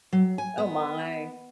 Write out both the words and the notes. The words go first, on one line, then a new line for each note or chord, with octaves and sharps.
oh my,
F#3
G#5
B3